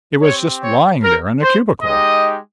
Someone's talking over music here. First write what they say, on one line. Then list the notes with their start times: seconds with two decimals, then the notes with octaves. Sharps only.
It was just lying there in a cubicle.
0.22 C4 G4 C#5
0.63 C#5
1.03 A#4
1.43 C5
1.82 G#3 D#4 G4 D#5